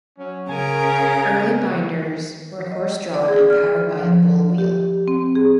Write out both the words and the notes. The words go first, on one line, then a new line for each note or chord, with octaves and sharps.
Early binders were horse-drawn and powered by a bull wheel.
F#3 C#4
C#3 A#4 G#5
D#5
D5
G#4
F6
F3
G4
C4
G#4